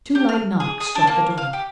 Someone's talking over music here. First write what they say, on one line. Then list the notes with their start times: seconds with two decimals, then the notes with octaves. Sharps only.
Two light knocks struck the door.
0.15 G4
0.29 F6
0.60 G#4
0.80 G#4
0.95 D4
1.07 A#3
1.38 F5
1.53 G4